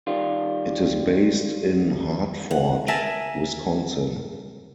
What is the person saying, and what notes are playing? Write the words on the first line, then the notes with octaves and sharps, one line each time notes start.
It is based in Hartford, Wisconsin.
D#3 G3 F4
F#5
A#4 E5 G#5 A5